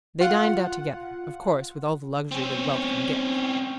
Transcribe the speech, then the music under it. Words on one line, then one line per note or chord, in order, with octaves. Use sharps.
They dined out together,--of course with all the luxury that wealth can give.
F4 F#5
C4 C#4